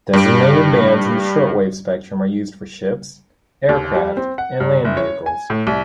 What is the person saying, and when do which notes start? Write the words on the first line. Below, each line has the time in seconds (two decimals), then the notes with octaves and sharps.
Designated bands in the shortwave spectrum are used for ships, aircraft, and land vehicles.
0.13 G2 G3 D7
3.69 D#2
3.95 G3
4.17 C4
4.38 F#5
4.60 G2
4.85 F#1
4.97 C#5
5.26 G#5
5.50 A2
5.67 C2